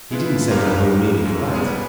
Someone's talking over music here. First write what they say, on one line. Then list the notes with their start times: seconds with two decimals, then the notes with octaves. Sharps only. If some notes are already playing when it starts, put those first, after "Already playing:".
He didn't send her home merely for that.
0.11 G#3 E4 F4 B4
0.51 B1 G4 A#4 F5
1.25 F#2
1.54 G3 B3 G#4